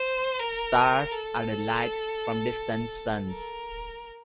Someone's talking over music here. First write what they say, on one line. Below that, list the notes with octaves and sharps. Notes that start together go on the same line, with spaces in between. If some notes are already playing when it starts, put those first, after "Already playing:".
Stars are the light from distant suns.
Already playing: C5
A#4
A4
A#4